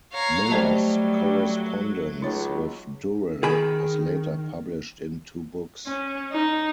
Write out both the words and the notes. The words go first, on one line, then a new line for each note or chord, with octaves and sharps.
Miller's correspondence with Durrell was later published in two books.
C#5 F5 A#5
F#3 G3 A3 C5 D#5 A5
C#2 D#4 C#5
D#3 G#4 B5
C#4
D#4